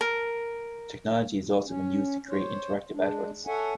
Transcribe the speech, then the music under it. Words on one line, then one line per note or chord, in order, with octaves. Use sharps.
Technology has also been used to create interactive adverts.
A#4
C#4
C5 C#5
G#3 D4
A4 C#5 E5 F#5 G#5